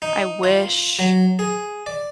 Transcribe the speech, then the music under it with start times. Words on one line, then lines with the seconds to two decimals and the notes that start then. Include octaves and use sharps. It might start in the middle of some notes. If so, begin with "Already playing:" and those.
I wish
0.02 D#4
0.43 F4
0.99 F#3
1.39 G#4
1.86 D5